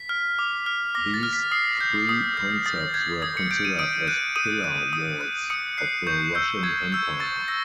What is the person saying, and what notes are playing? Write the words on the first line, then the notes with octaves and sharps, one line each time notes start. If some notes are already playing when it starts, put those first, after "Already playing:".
These three concepts were considered as "pillar-walls" of the Russian Empire.
Already playing: B6
F6
D6
F6
D6 A#6
A6
F6
B6
D#6 C7
G6
D#6
G6
D#6 A6
G6 G#6
D#6 G#6
C#7
G6 D7
D#7
D#6 D7
F#6 D#7
D#6 D#7
F#6
D#6
F#6
D#6 C#7
F#6 C7
C#6 G6
E6 G6
C#6 G#6
E6 G6
C#6 A6
E6 A#6